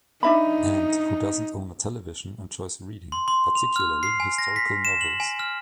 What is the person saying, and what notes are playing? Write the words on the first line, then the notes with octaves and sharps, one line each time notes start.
Ant, who does not own a television, enjoys reading, particularly historical novels.
D4 D#4 E5 B5
C6
C6
F7
F6
C7
G#5
A#6
B6
E7
F#7
G#5
F6